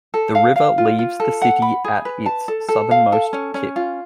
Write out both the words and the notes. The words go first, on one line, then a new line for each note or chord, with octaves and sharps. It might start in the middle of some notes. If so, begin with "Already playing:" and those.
The river leaves the city at its southernmost tip.
A4
F5
F5
F4
F4
A4
F#5
B5
G#4
B4
A5
A4
A4
F5
A4
C#4
C#4
F4